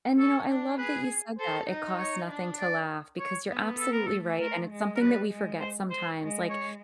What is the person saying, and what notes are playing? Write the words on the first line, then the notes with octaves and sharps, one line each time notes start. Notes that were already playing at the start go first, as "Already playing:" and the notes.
And you know, I love that you said that "It costs nothing to laugh," because you're absolutely right, and it's something that we forget sometimes. Like,
C#4 A4
D4
G#4 B4
A4 C5
D#4
C#5
D4
D5
C#5
B3
A4
A#4
A3 A4
A#4
G#3
A#4
G3 B4
G#3
C5
C5
G#3
C#5